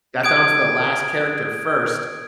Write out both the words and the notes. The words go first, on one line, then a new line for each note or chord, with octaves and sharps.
got down to the last character first,
D#6 G#6 D7